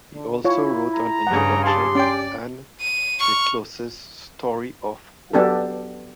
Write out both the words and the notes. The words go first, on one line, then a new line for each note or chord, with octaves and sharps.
He also wrote an introduction to Anne Desclos's "Story of O".
D3
E4 F4 C#5
A#5
G2 C#3 F#5
G4 F5 A5 C6
C#4 D5 G5
D#7
C#6 F6
F#3 B3 D4 G4 A4